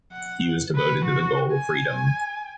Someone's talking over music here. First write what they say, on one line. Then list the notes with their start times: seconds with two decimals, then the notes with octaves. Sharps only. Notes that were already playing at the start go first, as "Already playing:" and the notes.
He was devoted to the goal of freedom.
0.13 F#5
0.75 B4
1.04 F#4
1.52 G#5